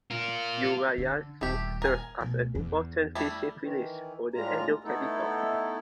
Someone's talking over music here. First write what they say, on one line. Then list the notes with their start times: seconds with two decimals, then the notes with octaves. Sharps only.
Urayasu served as an important fishing village for the Edo capitol.
0.11 F4 A#4
0.98 D3
1.41 D#1 D#2 A3 G4
1.82 A#4 G#5
2.21 D2 B2
2.55 E2
3.15 G3 A3 E4
3.61 D#3 E3
4.34 A2 G3 G#3 F4 A#5
4.84 A3 B3 D#4 E4 A4